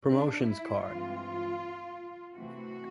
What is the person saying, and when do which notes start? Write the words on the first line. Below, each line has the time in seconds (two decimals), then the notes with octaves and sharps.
Promotions card.
0.11 D4
0.50 E4
0.87 G2 E3 G#3 C4 F4
2.37 C3 E3 A3 C4 F#4